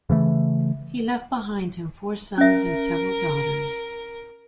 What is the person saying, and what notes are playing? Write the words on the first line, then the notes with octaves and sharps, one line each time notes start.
He left behind him four sons and several daughters.
C#3 E3 A3
C#4 A#4 E5